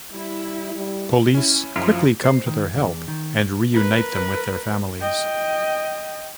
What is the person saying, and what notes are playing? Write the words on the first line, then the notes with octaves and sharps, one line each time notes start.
Police quickly come to their help and reunite them with their families.
G3 E4
G3
C#4 E4
F#2 F3 E4 F4
C5
D#3
E2
D#3
A#4 B4
D#5 G5